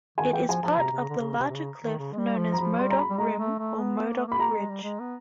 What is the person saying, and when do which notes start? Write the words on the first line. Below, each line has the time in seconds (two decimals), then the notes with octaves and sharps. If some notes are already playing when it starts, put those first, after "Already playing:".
It is part of the larger cliff known as Modoc Rim or Modoc Ridge.
0.18 D#3 G#5
0.33 E3 G5
0.49 F3 G#5
0.63 F3 A5
0.78 C3 A#5
0.92 C3
0.98 C#3
1.10 D3
1.18 C#3
1.39 C3
1.50 C3
1.54 C#3
1.84 D#3
1.99 C#3
2.13 G#3
2.18 G3
2.38 F3
2.52 A#5
2.58 F3 B5
2.79 G3 C6
2.90 A#5
2.98 B5
3.10 G3
3.18 G#3 A#5
3.39 A3
3.59 A3
3.79 B3
4.10 A#3
4.18 A3
4.28 A#3
4.32 B5
4.39 A#3 A#5
4.54 G#3
4.69 G3
4.83 G#3
5.00 B3